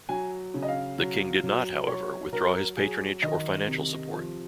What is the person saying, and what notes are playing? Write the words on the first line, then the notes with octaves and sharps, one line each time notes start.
The king did not, however, withdraw his patronage or financial support.
F#3 G#5
C#3
D#5
F5
F#3
F#3
F#3 C#5
F#3 A#4
F#3 G#4
D#3 D#5
C3
F3